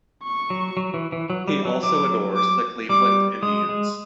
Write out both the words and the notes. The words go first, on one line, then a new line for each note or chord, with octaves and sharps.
He also adores the Cleveland Indians.
C#6
F#3
F#3
E3
E3
F#3
G3
F#3
F#3 D6
D6
G3 D6
G#3 D#6
G#3